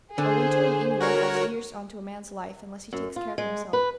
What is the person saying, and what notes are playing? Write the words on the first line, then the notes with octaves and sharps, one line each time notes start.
A winter in England adds years on to a man's life unless he takes care of himself.
D3 G#4 C5
F#4 A#4 C#5
F#2
F4
G#3
B4